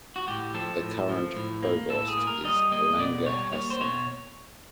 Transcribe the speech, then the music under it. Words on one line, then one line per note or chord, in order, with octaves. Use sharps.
The current provost is Langa Hassan.
F#4
A2 G4
F3 A4
A2
F3
A2
A#3
A2 A4
G#4
A#3
A#4
G3 D#5
A#3 D#5
B2 D5
G3 C#5
A#3 C#5
C5
B2 C#5